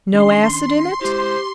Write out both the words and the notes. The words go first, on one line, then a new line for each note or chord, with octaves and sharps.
"No acid in it?"
D#3 C#4 D4 C6
G#3 E4 G4 C5